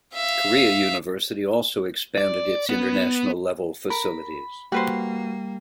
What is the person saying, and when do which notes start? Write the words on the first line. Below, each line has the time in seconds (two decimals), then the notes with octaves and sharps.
Korea University also expanded its international-level facilities.
0.13 E5 F5
2.18 D5
2.69 B3
3.90 A#4 B5
4.72 G3 A#3 F#4 B4 C5